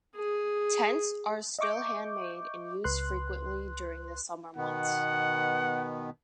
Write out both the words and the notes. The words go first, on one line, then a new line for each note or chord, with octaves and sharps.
Tents are still hand made and used frequently during the summer months.
G#4
D#5 E5 C#6 D6 G6
C#2 B4 C6 F#6
B2 D#3 B3 F#5